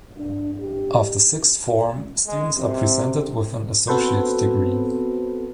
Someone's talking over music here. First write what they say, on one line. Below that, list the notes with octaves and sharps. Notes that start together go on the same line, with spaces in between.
After sixth form, students are presented with an Associate Degree.
D4
G4
G#3
C3
B3 C4 F#4 A4 B4 C5